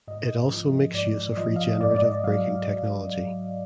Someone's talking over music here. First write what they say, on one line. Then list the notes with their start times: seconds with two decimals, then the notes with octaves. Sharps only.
It also makes use of regenerative braking technology.
0.08 G#2 D#5
0.51 F3
0.94 G#2 D5
1.37 F3 D#5
1.56 F5
1.69 D#5
1.81 G#2 D5
1.95 D5
2.02 D#5
2.24 F#3 F5